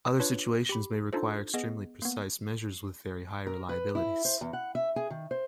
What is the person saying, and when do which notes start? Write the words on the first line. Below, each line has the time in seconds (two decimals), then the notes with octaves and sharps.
Other situations may require extremely precise measures with very high reliabilities.
0.20 D4 F4 B4 C#5
0.69 G4 B5
1.13 D4 D#4 F4 A4 C5
1.54 B3 G#4 D#5
2.02 A#3 B3
3.47 A#4
3.69 B4
3.95 E4
4.25 C5
4.41 E2
4.53 F#5
4.75 E5
4.96 G#4
5.10 D#3
5.31 C5